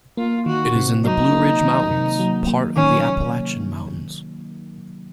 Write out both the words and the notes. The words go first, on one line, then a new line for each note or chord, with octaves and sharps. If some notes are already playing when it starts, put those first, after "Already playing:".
It is in the Blue Ridge Mountains, part of the Appalachian Mountains.
A#3 F4
D#3 F#4
C3
F#3 D#4
A#3
D#3
C3
F#3
A#3
D#3 C#4